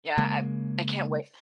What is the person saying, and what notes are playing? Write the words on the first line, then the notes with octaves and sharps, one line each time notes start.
Yeah, I I can't wait.
C#3 G#3 A#3